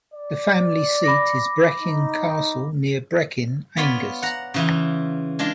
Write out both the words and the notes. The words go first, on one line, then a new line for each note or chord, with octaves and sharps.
The family seat is Brechin Castle near Brechin, Angus.
D5
B5 D6 A#6
D#4
B3 F4 C#5 D5 B5
F#5 A#5
C#3 E3 F4
G#3 D4 F4